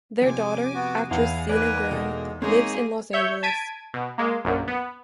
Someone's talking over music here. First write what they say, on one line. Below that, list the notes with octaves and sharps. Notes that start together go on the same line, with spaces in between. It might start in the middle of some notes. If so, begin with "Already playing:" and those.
Their daughter, actress Zena Grey, lives in Los Angeles.
F2 C3 G#5 D6
B3 F#4
E2 E4 G#4 F5
A#3 D#4 B4 D5 G#5
B2 G#3 A4
G#3 A#3 C4 D#4 G#4 C#5
C#5 E5 G6
A5 G#6 B6 D7 D#7
B2
G#3 A#3
A#1 F#2 A#2
B3